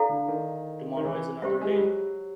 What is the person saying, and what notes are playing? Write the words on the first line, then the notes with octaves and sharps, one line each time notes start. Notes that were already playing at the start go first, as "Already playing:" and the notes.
Tomorrow is another day.
Already playing: E4 A4 D5 F5
D3
D#3
D#3
E3
G3 G4 C5 E5
G#3
G3
F#3